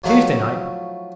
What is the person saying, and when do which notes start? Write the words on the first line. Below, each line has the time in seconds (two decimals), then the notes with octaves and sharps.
Tuesday night?
0.04 F3 F#3 A3 D#4 E4 F#4